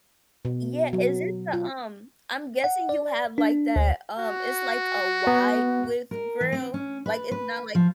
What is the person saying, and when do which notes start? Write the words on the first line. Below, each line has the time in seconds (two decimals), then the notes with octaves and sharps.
Yeah, is it the, um I'm guessing you have, like, that, um, it's like a wide-width grill? Like, it's not like
0.45 B2
0.93 F#3
1.53 F4
2.64 F#5
2.89 D5
3.38 D4
3.76 D2
4.18 F#4
5.27 B3
6.11 A#4
6.41 E3
6.52 C4
6.74 C#4
7.06 B4
7.31 B4
7.75 F3